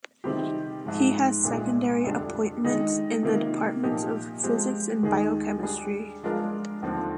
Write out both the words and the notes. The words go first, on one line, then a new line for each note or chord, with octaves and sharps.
He has secondary appointments in the departments of Physics and Biochemistry.
C3 D#3 G3 C4 G4
G#2 F3 G#3
C2 A#2 G#3 D4
F2 D3 G3 D4
D#3 G#3 D#4
C3 D#3 A#3
A#2 F3 A#3 D#4 G4
F3 G#3 C4 G4
D#2 D#3 G#3 D#4 G#4
G3 D4 G#4
F3 G#3 D4 F4 A#4
D#2 D3 F3 C4